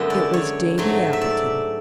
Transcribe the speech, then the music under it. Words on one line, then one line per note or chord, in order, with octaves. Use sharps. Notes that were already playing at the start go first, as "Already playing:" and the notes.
It was Davy Appleton.
Already playing: F#2 D3 G#3 B3 E5
D5
C#5
G#2 F#3 A3
E5
D5